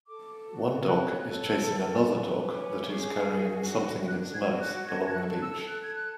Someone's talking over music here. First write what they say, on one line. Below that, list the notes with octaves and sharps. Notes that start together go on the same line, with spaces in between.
One dog is chasing another dog that is carrying something in its mouth along the beach.
A4 D6
F#4
C#5 F#6
A4
B4
B4
C#4 D6
G#4
F#4
D4
D4 F#6
G#6
F#4
F#6
A4 G#6
G#6
F#6
A4
E6
A4 F#6
G#6
F#6